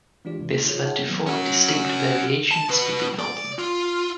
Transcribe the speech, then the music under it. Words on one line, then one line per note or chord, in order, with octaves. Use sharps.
This led to four distinct variations of the album.
E3 G#3 D4 F4 G4 D5
E2 C3 E3
C#3 A#3
D#4 F4 G#4 C#5
G#4 C#5 E5 F#5 G5 A5
D#3 F#3 A#3 B3
C#4 F#4
A5
B2 B4
D5
F4